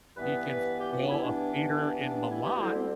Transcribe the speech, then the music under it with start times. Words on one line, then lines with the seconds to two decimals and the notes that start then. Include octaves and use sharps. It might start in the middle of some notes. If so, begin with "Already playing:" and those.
He can fill a theater in Milan.
0.16 G2 E3 B3 B4
0.47 B4
0.77 G4
0.92 F#4
1.02 D4
1.08 E4
1.23 D4
1.98 D4
2.14 D4
2.29 E4
2.43 G4
2.53 F#4
2.59 D2 D3 G3 C4 E4
2.74 C4